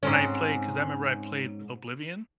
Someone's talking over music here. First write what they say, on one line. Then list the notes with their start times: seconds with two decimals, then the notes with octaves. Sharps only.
when I play 'cause I remember I played Oblivion.
0.03 G#2 C4 C#4